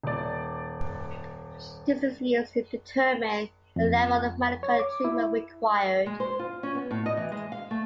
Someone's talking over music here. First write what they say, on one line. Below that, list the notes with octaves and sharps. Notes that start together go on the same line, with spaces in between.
This is used to determine the level of medical treatment required.
D#1 D5
F2
C#5
D6
E4
G#3
C5
F4
C#4
B3
A2
D#5
E3
G#3
F5
A3